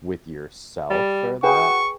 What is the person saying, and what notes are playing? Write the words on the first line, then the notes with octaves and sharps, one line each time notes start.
with yourself for that
G3
F#4 G#4 B4 G5 C#6